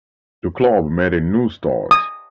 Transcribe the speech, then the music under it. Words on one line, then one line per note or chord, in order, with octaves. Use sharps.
The club made a new start.
D#6